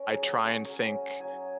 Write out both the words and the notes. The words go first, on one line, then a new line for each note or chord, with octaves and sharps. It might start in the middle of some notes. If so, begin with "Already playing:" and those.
I try and think,
Already playing: C#4 A#4
F#3 G#4
C#4 G#4
F#3 A#4
C#4
F#3 G#5